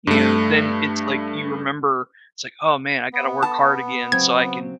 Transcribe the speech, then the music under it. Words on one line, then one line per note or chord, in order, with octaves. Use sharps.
you know, then it's like you remember it's, like, "Oh, man. I gotta work hard again so I can
G2 A3
B3
A5
C#3 F#3 C4 G#6